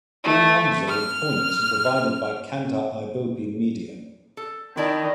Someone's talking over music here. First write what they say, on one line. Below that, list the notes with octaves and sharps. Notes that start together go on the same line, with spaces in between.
All numbers are in points and provided by Kantar Ibope Media.
A3
F6
A4
D#3 E4 D5 A5